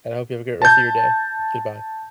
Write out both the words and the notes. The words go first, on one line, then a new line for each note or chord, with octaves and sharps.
and I hope you have a great rest of your day, goodbye.
A5 G6